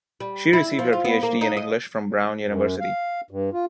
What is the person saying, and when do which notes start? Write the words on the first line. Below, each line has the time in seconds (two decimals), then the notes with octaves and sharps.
She received her Ph.D. in English from Brown University.
0.20 G3
0.53 E4
0.79 F3
0.93 F4
1.05 B3
1.23 A#3
1.41 D#4
1.57 D#5
2.46 F#2
2.80 F5
3.31 G2
3.53 F4